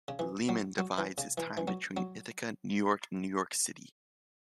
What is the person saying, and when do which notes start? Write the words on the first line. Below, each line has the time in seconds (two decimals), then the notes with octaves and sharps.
Lehman divides his time between Ithaca, New York, and New York City.
0.08 C#3
0.19 E3
0.49 F#3
0.78 F#3
0.98 E3
1.18 C#3
1.38 E3
1.57 E3
1.68 F#3
1.97 F#3